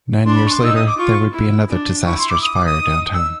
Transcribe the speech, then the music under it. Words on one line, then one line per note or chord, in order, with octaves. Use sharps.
Nine years later there would be another disastrous fire downtown.
D4 C6
B5
C#6
C6
D#4 E6
D#6
D6
F4 C#6
C#6
E4
D4
E4 C#6
C6
D6
D#6
D6
D#6
D#4
E6